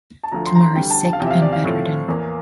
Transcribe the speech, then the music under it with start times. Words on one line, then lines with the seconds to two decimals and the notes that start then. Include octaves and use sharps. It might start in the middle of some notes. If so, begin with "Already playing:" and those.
Tamar is sick and bedridden.
0.23 A5
0.32 D2 D3 F3 A3 A#5
0.46 C6
0.55 A#5
0.61 C6
0.75 D2 D3 G3 G5
0.90 A5
1.05 A5
1.13 F5
1.20 E2 C3 F3 G5
1.27 E5
1.31 F5
1.42 D5
1.53 F5
1.64 A2 F3 A3 C4
2.08 E2 E3 A#3